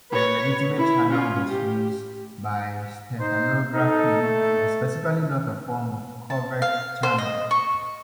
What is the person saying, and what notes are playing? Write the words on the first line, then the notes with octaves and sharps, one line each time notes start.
The legitimate channel misuse by steganography is specifically not a form of covert channel.
B4 C#5
E4
C#4 F4
G4
D#4 C5
D#4 A4
A3
A5
F5
C5
D#5
C#6